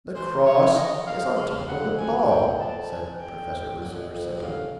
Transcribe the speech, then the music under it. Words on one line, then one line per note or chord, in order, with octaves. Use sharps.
"The cross is on top of the ball," said Professor Lucifer, simply.
E3 C5
C#5
D#5
F5
C#3 F5
G2
F#5
F2
F#2 G#5
F#2
G5
F2
A5
G#5
G5
F#2
F2
F2
G2
F#2 F5